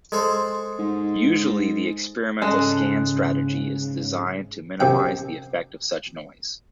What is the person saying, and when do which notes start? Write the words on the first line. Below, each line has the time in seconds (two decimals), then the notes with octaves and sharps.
Usually the experimental scan strategy is designed to minimize the effect of such noise.
0.12 G#3 A4 C5
0.79 G#2
2.42 G#2 C#3 G#3 C#4 A4 F#6
4.80 F#2 C3 G5